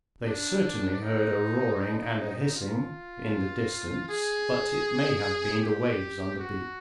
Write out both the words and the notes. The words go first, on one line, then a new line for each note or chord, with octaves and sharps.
They certainly heard a roaring and a hissing in the distance, but it may have been the waves on the beach.
D4
D#4
F4
G#4
G4
F#4